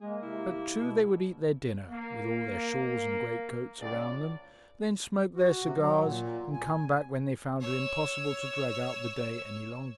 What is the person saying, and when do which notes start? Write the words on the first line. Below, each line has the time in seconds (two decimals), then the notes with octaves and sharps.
At two they would eat their dinner--with all their shawls and greatcoats around them--then smoke their cigars, and come back when they found it impossible to drag out the day any longer.
0.01 G#3 A#3 G#4
0.22 C3 E4
0.77 B2
1.90 A#3
3.79 C#2 D5
5.35 F#4
5.62 C3
5.76 F#3
6.02 A#2
6.53 G#5
7.61 C#5 E6